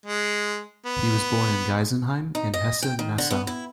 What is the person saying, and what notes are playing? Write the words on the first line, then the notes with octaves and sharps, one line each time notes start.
He was born in Geisenheim in Hesse-Nassau.
G#3
B3
D#4
D#5
G5
D#3
D3
B3
E4